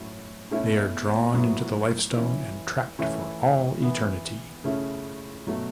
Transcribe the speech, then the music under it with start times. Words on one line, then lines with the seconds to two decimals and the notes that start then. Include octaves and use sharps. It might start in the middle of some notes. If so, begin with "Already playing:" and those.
They are drawn into the Lifestone and trapped for all eternity.
Already playing: A2 F#3 C#4 E4
0.51 B2 A3 C#4 E4
1.33 A2 F#3 B3
2.16 E3 C#4 E4
2.99 E3 A3 C#4 E4
3.82 E3 B3 E4
4.64 C#3 A3 C#4 E4
5.47 B2 F#3 A3